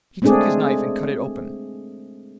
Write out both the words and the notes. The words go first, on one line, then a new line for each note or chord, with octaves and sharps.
He took his knife and cut it open.
G#3 A3 C4 D4 G#4 D5